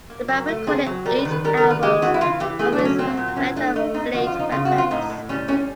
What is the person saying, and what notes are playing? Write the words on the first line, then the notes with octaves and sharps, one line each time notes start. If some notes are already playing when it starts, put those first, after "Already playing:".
The band recorded eight albums, all released by Metal Blade Records.
A#3
F#3
A3
C4 G#4
F#3
G3 A#4
B4
D#3
B4
G3 A#4
A#4
D#3
B4
G#3 G4
E3 F#4
E4
E3 F4
E3 G4
A3 G#4
D4
F#3
C#4
F#3 C4
A#2
C4
E3 C#4
A3 D4
A3 D#4
C4 D#4
F3 F#4
F4
F3
D#4
C#3 F4
F#4
C4
F4
A2 D#4
A2
G3 C#4
G3 C#4